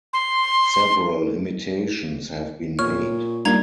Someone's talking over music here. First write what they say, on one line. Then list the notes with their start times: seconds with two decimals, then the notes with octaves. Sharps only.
Several imitations have been made.
0.13 C6
2.79 A#2 C#5 F6
3.45 G3 A#3 D4 D#4 F4 A#5 G#6